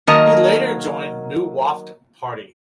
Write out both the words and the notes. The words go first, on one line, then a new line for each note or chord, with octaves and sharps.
He later joined New Wafd Party.
D#3 F#3 A#3 A#4 D#5 A5